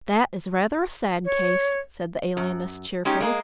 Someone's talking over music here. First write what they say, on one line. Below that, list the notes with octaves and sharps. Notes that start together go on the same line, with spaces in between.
"That is rather a sad case," said the alienist cheerfully.
C#5
F#2
G#3 C#4 D#4 G4
G#3 A#3 D#5